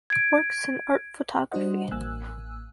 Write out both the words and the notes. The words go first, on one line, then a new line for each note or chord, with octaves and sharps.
Works in art photography.
G#6 D7
G3 D4 F#4 C5 D#5 F#5
A1 A#3 G#5 E6 F#6